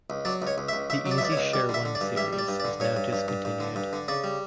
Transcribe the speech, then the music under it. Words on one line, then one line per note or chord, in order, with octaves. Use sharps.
The EasyShare-One series is now discontinued.
C#2
F#3 D5
C#2 C#5
C#2
E5
C#2
C#2 E5
F#3
D5
E5
C#2 D5
C#5
C#2
G3 D5
D3
E5
D3
D5
G2
G3 E5
G3
D5
G2
D5
D3
G2 C#5
G2
G2
G2
G2
D3
G2
D3
C#3 D5
G3